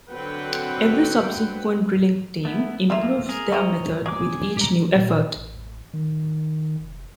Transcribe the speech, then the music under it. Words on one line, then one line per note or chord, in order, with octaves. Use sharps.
Every subsequent drilling team improves their method with each new effort.
D3 F#3 C4 B4 F#5 G5
A3 B3 E4
A3 A#3 C4 D#4 F4 E5
G#4 A#4
E3 C4 C#5 D#5 A#5
F#3 G#4 D6
G4 A#5
A#2
A1
D#3
F1